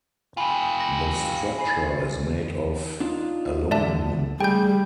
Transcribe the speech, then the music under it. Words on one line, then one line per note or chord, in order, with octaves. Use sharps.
The structure is made of aluminum.
F4 G4 G#5 B5
B5 A#6 F#7
G#5 B5 C7
D4 D#4 F4
E2 D3 D5 E5 A5
G3 A3 G#4 G5 G#5 G6